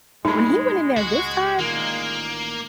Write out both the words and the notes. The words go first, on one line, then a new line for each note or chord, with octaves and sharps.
When he went in there this time,
A2 G3 G#3 A#3 D#4 B5
C#2 F#4
A1 A#2 D#3 A#3